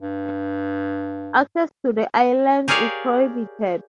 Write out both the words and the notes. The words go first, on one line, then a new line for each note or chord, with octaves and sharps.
Access to the islands is prohibited.
G2
G4 G#4 A#4 C#5 D5 F5